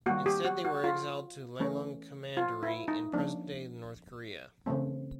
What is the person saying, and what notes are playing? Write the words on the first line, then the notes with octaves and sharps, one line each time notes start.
Instead they were exiled to Lelang Commandery in present-day North Korea.
D#3 G3 A#3 F#4
G4
F#4
F#4
F4
E3 A3 C#4
F4
E4
D#4
F3 A#3 C#4 D4
C#3 E3 A3 C4